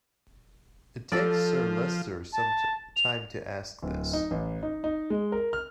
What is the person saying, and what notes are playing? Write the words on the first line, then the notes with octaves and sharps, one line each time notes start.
It takes Sir Leicester some time to ask this.
F3 A4 D5
A5
F7
D1
D#4
A1
D#4
D#4
G#3
A#4
F6